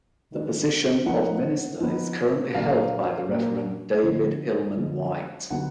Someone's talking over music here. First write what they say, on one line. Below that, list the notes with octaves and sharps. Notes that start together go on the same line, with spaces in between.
The position of minister is currently held by the Reverend David Illman-White.
D#3 G#3 D4
F3 B3 D#4 F#5
F3 B3 D#4
A#2 F#3 A#3 D4 F5
A#2 F#3 A#3 D4
D3 F3 G#3 B3
D3 F3 G#3 B3
D3 F#3 B3 D#4 F#5